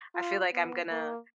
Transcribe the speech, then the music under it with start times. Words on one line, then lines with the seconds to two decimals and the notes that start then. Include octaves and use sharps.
I feel like I'm gonna
0.15 F4
0.53 B3
0.90 A#3